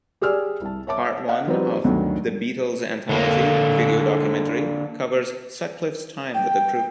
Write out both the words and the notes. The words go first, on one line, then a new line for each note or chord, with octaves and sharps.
Part One of "The Beatles Anthology" video documentary covers Sutcliffe's time with the group.
G4 G#4 D5 E6 F6
C2 A5
C#5 E5 A5 D6
D#5 F5 F#5
F3 G3 C4 D#4 F#4 B4
D2 G2 D#3 F#3
D3 A#3
G5